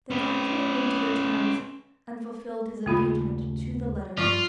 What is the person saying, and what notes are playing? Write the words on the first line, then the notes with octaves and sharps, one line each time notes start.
The captain agreed to the terms and fulfilled his engagement to the letter.
C#4 B4
D#2 C#3 A3 A#3 F4 B5
G2 F3 F4 C#6